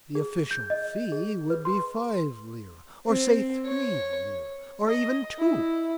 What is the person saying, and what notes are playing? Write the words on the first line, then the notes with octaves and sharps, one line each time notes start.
The official fee would be five lira--or say three lira--or even two.
G#4
G6
D#5
G#4
B4
C6
C4
C#5
D#5
E4